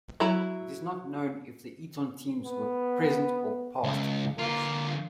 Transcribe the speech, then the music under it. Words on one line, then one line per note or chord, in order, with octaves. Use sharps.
It is not known if the Eton teams were present or past pupils.
F#3 E4 A#5 B5
B3
C#2
D3 A#3 F4